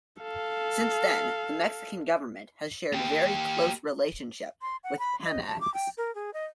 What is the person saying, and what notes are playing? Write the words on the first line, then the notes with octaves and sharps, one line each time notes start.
Since then, the Mexican government has shared very close relationship with Pemex.
A4 F5
A#3 G4
C6
F#5
B5
D#5
A5
D6
G5
A#4
G#4
D#5